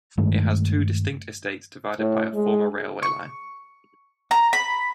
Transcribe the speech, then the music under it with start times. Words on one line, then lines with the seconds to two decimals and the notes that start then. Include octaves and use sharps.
It has two distinct estates, divided by a former railway line.
0.18 G2 D#3 G#3 A3
1.99 A2
2.34 G#3
3.03 C#6
4.31 A#5
4.53 B5